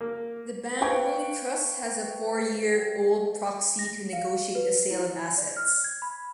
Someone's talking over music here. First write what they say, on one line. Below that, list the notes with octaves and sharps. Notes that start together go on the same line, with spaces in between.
The Bank Ruling Trust has a four-year-old proxy to negotiate the sale of assets.
A#3
B4 C5 F5 G5 C#6 G#6
A#6
F5
B4
E4
D5
F6
G#6
B5